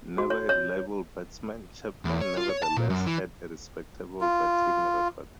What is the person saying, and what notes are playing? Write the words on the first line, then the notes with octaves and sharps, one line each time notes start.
Never a reliable batsman, Chapman nevertheless had a respectable batting record.
F#4
C#5
C#5
E2
C#5
F4
C#5
A5
A#2
F#2
E3
F4